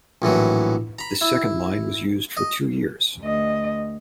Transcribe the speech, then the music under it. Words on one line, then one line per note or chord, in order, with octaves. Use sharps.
This second line was used for two years.
A#1 A2 E3 F#3
A#5 B5
E4
D#5
D2 D#5